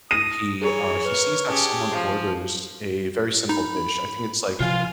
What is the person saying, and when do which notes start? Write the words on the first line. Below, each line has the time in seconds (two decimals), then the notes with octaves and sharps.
he, uh, he sees that someone orders a very simple dish, I think it's like
0.11 D#6 A#6 D#7
0.62 E3 G#4 C#5 A#5
1.05 A#4 B4
1.48 C#4 G4 G#4 A5 D6
1.92 F3
3.49 D#4 B5
4.60 C3 F3 F4 F5 G#5